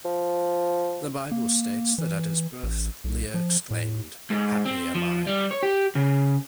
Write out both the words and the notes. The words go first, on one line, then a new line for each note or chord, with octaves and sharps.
The Bible states that at his birth Leah exclaimed, Happy am I!
F3
A#3
E3
A1
B1
F3
A2
G#2
C4
F3
G3
C#5
G4
C#3